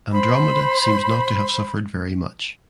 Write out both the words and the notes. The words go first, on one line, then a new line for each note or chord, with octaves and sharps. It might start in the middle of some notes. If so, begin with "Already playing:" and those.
Andromeda seems not to have suffered very much.
C5 B5